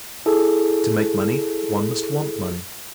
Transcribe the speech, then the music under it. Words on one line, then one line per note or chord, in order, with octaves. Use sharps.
To make money one must want money.
E4 G#4 A4